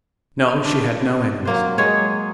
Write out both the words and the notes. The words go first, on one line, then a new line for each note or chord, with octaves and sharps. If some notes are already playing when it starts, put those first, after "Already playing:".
No, she had no enemies.
D4
F#3 A#3 C5
F#3 G#3 G#4 C#5